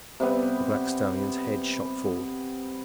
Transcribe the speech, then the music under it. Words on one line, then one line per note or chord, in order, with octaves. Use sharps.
The black stallion's head shot forward.
C3 G3 B3